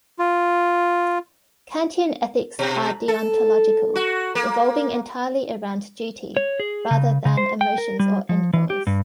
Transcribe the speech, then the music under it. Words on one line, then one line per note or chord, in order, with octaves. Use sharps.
Kantian ethics are deontological, revolving entirely around duty rather than emotions or end goals.
F4
B2
A4
F#4
A#3
C#5
G#4
C#3
C#3
C5
G5
A#4
G3
F3
E3
G4
G2